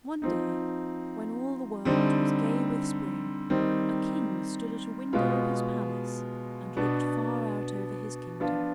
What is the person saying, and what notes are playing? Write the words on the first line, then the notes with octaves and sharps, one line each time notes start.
One day when all the world was gay with spring a king stood at a window of his palace and looked far out over his kingdom.
F3 C4 D#4
D3 G3 C4 D#4
D#3 G3 C4 D#4
B2 G#3 B3 F4
B2 B3 D4
F3 B3 D4 F4